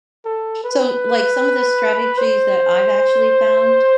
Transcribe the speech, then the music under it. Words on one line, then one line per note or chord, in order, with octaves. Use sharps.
So, like some of the strategies that I've actually found,
A4
B4
C5